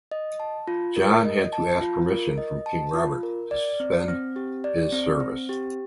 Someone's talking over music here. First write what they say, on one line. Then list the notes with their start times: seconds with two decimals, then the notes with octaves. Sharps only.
John had to ask permission from King Robert to suspend his service.
0.12 D#5
0.40 A5
0.68 F4
0.96 A#4
1.25 D#5
1.53 A5
1.81 F4
2.09 A#4
2.38 D#5
2.66 A5
2.94 F4
3.23 A#4
3.51 D5
3.80 C4
4.08 C4
4.36 G4
4.64 D5
4.93 C4
5.20 C4
5.49 G4